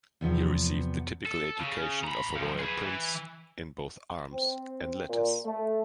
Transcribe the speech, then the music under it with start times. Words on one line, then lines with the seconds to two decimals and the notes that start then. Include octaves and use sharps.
He received the typical education of a royal prince in both arms and letters.
0.21 E2 C3 F3 B3
1.26 A4
1.60 C#3
2.04 A#5 B5
2.36 G2 F3
2.59 G#4 B4
2.85 E3
4.32 C4
5.09 A#2
5.45 A3